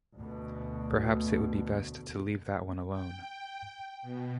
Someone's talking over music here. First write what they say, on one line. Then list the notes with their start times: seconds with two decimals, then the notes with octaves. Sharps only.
Perhaps it would be best to leave that one alone.
0.16 D2 B2
2.91 G5
4.02 B2